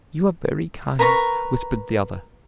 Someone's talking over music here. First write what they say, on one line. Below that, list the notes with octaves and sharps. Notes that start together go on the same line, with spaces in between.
"You are very kind," whispered the other.
A#4 B4 A#5 C#6